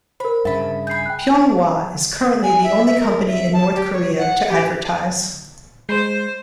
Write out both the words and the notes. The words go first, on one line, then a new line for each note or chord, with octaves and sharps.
Pyeonghwa is currently the only company in North Korea to advertise.
A#4 C5 B5
G2 C#3 E5 A5 B5
G#4 B5 G6 C7
G5 F#6
G#5
E5
E5
A#4
E5
A5
G4
C#5
F#5
G4
G#3 C5 G6 C7